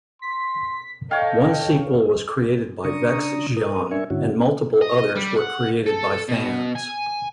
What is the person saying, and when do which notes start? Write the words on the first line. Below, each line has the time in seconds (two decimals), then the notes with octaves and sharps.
One sequel was created by Vex Xiang, and multiple others were created by fans.
0.22 C6 B6
1.11 A4 C#5 D#5 F5 G5
2.84 C#3 D4 A#5 C#6 D#6
3.57 A#4 D#6
3.91 D4 A#4 E5 G#5 C#6
4.10 G#2 D3 C#4 E4 F#4
4.82 D#5
5.15 G3
5.36 F#5
5.86 A4
6.29 B2
6.76 G#5